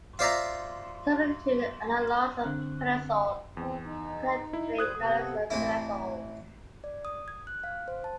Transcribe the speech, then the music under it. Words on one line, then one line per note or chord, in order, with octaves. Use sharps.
Substituted analogs of pentazole are collectively known as pentazoles.
F4 C5 D5 E5 A#5
D3 C4 F#6
E2 C4
D#4
E4
G3 C5 D#6 F#6 G#6
C3 B3 A4 D#6
A1 E3 C4 E4
D5
D#6
G#6
F#6
F5
C5
A5